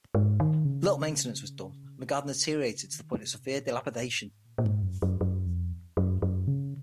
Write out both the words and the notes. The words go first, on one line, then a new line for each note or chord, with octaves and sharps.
Little maintenance was done and the garden deteriorated to the point of severe dilapidation.
G#2
D#3
C#3
D#3
C3
A#2
G#2
A#2
A#2
G#2
F#2
F#2
F#2
F2
F#2
F#2
C#3